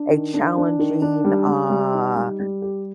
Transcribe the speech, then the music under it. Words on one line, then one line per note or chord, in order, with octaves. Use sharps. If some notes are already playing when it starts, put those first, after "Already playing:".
a challenging, uh
Already playing: D4
D#3
D4
D4
D#3
D4
G3
G3
G3
D#4
G3
G3
G4